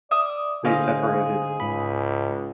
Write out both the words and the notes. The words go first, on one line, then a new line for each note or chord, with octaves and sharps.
They separated.
D5 E5 D#6
D3 G#4 C5 D#5 F5
C#2 G#2 B5